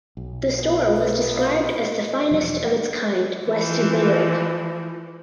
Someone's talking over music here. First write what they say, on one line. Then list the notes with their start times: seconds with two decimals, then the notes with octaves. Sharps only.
The store was described as the finest of its kind west of New York.
0.17 B1
0.58 A#2 B3
0.96 B4
1.37 F5
1.67 D#5
2.31 E1 F3 G3
3.47 E3 F3